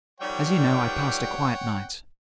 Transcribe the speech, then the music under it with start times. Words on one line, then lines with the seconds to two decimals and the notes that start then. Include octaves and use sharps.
As you know, I passed a quiet night.
0.21 D#3 F3 G3 C#5 F#5 G5